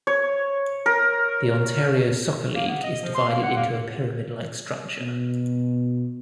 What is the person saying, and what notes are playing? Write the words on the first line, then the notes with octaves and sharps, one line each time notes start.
The Ontario Soccer League is divided into a pyramid-like structure.
C#5
A#4
A#3
B3
D#5
F3
C6
A#3
F#5
A#3
B2